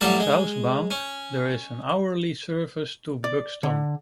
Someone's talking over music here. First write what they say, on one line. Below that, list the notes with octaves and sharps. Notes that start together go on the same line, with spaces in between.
Southbound there is an hourly service to Buxton.
A1 F#3 G3 D5 F5 A5
G#3
C#4
D5
D3